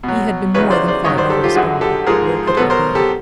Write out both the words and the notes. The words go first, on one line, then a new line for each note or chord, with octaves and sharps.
He had been more than five hours gone: where could he be?
B2 F#3
E2 C#3 F#3 B4 C#5
C5 D5
C5 D5
G2 D#3 F#3 C#5 D#5
C5 D5
G4 A4
F4 G4
F#2 D3 F#3 F#4 G#4
G4 A4
G#2 F3 G#3 G#4 A#4
C5
B2 F#3 A4 B4
A#4 C5
G4 A4